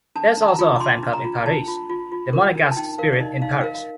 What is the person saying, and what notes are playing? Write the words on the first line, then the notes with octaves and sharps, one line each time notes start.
There is also a fan club in Paris, the Monegasque spirit in Paris.
D4 A5
D4 A5
A#5
F4
D6
D4 C6
D4
A#5
F4
D4 A5
F4
F4
F4
A#4
D4
A5
D#4 G5
A#4 F5
D5
D#4 D#5
D#4 F5
D#5
F5
A#4
F5